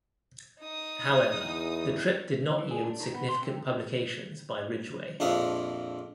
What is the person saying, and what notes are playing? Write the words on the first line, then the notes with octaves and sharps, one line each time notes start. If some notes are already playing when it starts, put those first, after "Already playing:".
However, the trip did not yield significant publications by Ridgway.
D#4 D#6
E2
E3
G#4
D4
D#3
B3
C6
C3
A#1 F2 D4 E5 F5 D#6